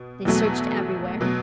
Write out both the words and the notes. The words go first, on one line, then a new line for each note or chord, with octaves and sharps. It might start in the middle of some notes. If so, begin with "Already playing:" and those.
They searched everywhere.
Already playing: B2
E2 B2 F#3 A3
B2 F#3